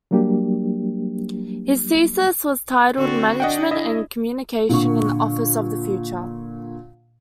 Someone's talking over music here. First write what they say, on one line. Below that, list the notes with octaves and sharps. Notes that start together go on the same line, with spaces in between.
His thesis was titled Management and Communication in the Office of the Future.
F#3 G3 A#3 D4 G4
D3 C4 F#4
D4 D#5 F#5 G5
E4 D#5 E5
A#2 D3 C#6